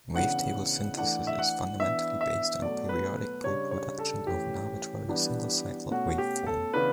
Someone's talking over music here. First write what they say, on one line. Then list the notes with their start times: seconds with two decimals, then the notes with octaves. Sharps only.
Wavetable synthesis is fundamentally based on periodic reproduction of an arbitrary, single-cycle waveform.
0.15 C#3 E3 B3 D4 F#5
0.97 E3 A3 D4 F#5
1.27 E5
1.39 F#5
1.79 E3 B3 D4 E5
2.21 E5
2.62 B2 F#3 A3 D5
2.89 B4
3.17 B4
3.44 C#3 G3 D4 C#5
3.71 C#5
3.99 A4
4.26 E3 A3 C#4 G4
5.09 E3 G3 B3 D4
5.91 B2 A3 C#4 F#4
6.18 G4
6.46 A4
6.73 C#3 E3 B3 D4 B4